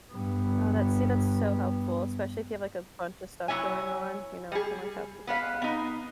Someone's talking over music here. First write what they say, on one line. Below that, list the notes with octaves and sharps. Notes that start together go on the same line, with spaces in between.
Oh, that's see, that's so helpful, especially if you have like a buncha stuff going on, you know, it can, like, help you get all that.
G2 B3
F#3 C#4 E4 C#5 G#5
G3 G#4
B3 B4 F5
B3 D#4